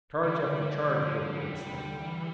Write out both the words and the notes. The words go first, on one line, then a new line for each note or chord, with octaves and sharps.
Charge after charge broke against them.
D3 G3
G3
F3
G3
C3
D3 G3
E3